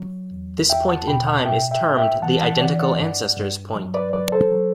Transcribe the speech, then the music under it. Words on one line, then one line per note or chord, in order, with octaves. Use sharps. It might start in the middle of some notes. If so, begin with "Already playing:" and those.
This point in time is termed the "identical ancestors point".
Already playing: F#3
E2
E2 E5 G5
F#5 A5
B2 G5 B5
F#5 A5
A2 E5 G5
E5 G5
A2
E5 G5
E3 F#5 A5
F#5 A5
E3 D5 F#5
D5 F#5
G2
G2
F#3
B4 D5
F#3 B4 D5
A4 C5
F#3